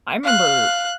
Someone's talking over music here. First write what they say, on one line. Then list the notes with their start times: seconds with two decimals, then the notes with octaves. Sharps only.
I remember
0.24 F5 F#6